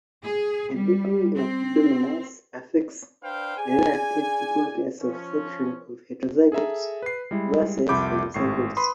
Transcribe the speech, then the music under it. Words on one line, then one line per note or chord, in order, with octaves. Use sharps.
The degree of dominance affects the relative importance of selection on heterozygotes versus homozygotes.
G#4
G3
C4
D4 B4 C5 F5 G5
G#4 D5 G#5
F3 C#4
G#4 A4 E5 A#5
B4 C7
G3 G#3 E4
C2 F2 E5 B5 D6 G6
G#1 A2 C#6 C7
B4 B5 C6 D#6